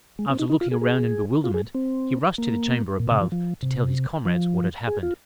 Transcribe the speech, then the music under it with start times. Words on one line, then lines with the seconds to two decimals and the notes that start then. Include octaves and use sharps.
After looking around in bewilderment, he rushed to the chamber above, to tell his comrades what had happened.
0.19 G#3
0.30 C4
0.39 D#4
0.50 D#4
0.61 F4
0.71 G#4
0.82 G#4
1.44 F4
1.54 G#4
1.75 C4
2.38 A#3
3.00 A#2
3.11 C3
3.21 F3
3.32 F3
3.63 C3
4.25 F3
4.87 G#4
5.03 F4